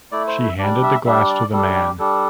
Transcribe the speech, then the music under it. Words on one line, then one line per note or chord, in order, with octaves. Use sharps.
She handed the glass to the man.
A3 E4 D5
C5
E5
G3 D4 D5
E5
G3 D4 E5
D5
G3 D4 A4
G4
G3 D4 A4